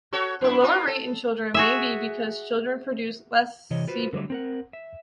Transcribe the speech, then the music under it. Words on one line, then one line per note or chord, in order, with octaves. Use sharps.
The lower rate in children may be because children produce less sebum.
F#4 A4 C#5
F#2 E4
A#3 D#4 F4
A4
F#4 G#4 E5
C3 E3 C#5 D#5
F4 F#4 B4 C5
D3 F#3 G3 A3
C4 A#4 F#5
E5